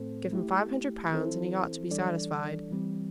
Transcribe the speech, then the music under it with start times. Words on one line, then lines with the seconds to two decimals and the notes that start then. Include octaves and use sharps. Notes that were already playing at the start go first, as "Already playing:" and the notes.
Give him five hundred pounds, and he ought to be satisfied.
Already playing: A2 A3 C4 A4 C5
0.32 A3 E4 G4
1.11 E3 C4 E4 A4 C5
1.90 E3 G3 D4 A4 D5
2.71 E3 G3 C4